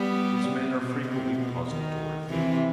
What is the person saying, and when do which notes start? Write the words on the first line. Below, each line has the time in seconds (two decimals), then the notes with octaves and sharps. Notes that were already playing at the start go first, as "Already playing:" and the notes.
His manner frequently puzzled Dorothy.
Already playing: G3 B3
0.48 C3
0.79 B2
1.08 C3
1.39 B2
1.69 D#3
2.29 C3 E3